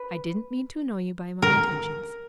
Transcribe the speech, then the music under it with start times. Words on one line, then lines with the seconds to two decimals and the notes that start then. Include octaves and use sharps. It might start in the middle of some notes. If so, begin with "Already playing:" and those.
I didn't mean to annoy you by my attentions.
Already playing: B4
1.42 A#4